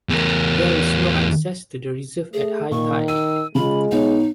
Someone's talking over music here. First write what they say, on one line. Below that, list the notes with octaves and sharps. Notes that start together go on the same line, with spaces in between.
There is no access to the reserve at high tide.
E2 A#4
A3 G#4
A#2 D#3 C#6
E6 D#7
C#3 G#3 F4 B5
B1 B3 D#4 C#5